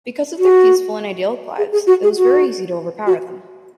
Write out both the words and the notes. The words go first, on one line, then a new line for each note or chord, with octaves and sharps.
Because of their peaceful and idyllic lives, it was very easy to overpower them.
F#4
G#4
G#4
F#4
G#4
F#4
F#4